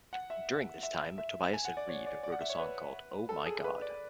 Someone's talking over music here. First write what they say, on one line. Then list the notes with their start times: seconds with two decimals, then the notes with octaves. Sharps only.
During this time Tobias and Reed wrote a song called "Oh My God".
0.13 F#5
0.30 E5
0.83 E5
1.18 E5
1.53 G#5
1.65 F#5
1.77 D5
1.88 C#5
2.06 D5
2.23 D5
2.32 F#5
2.41 E5
2.50 C#5
2.59 B4
3.29 A4
3.46 G#4
3.64 B4
3.82 D5